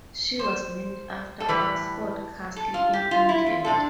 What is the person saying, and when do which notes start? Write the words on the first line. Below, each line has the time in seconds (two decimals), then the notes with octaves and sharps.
She was named after Oxford Castle in England.
0.39 C5
1.40 A4
1.48 A2 E3 G3 B4
2.56 A4
2.74 F4
2.93 G4
3.11 F4
3.29 E4
3.46 F4
3.65 C3 D4 A4